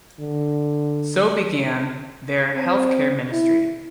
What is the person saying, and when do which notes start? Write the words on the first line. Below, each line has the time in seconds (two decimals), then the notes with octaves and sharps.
So began their health care ministry.
0.19 D3
2.54 C4
3.32 E4